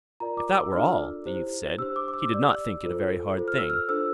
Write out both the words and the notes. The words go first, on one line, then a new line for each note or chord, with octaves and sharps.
If that were all, the youth said, he did not think it a very hard thing.
F4 A#4 D5 A#5
D6
E6
D4 F4 A4 D5 F6
E4 G4 C5
D4 G4 C5 E6
D6
D6
E6
G4 D5 E6
F4 A4 C5
F4 A4 C5
F6
E6
F6
D4 F4 A4 C5 E6